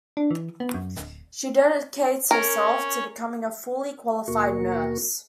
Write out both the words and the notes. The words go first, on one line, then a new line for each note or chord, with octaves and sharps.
She dedicates herself to becoming a fully qualified nurse.
D4
E3
B3
F#2
D1
C#4 A#4 C#5
D#2 B2 A#3 F#4 A#4 C#6